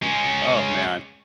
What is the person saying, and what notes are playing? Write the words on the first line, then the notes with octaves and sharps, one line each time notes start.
Oh, man.
G#3 C#4